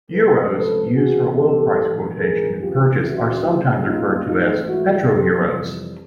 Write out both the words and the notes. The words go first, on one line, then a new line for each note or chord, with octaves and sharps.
Euros used for oil price quotation and purchase are sometimes referred to as petroeuros.
C#2 C3 F3 G#3 A4 B4
A4 B4
E2 C#3 E3 F#4 G#4
G4 A4
A#1 G#2 E3
G#4 A#4
D2 C#3 E3 F4 G4
E4 F#4
C#2 C#3 F#3 A#3
D#4 F4
G#1 G#2 E3 A3 D#4 F4
E4 F#4
F2 C3 E3 G3 G4 A4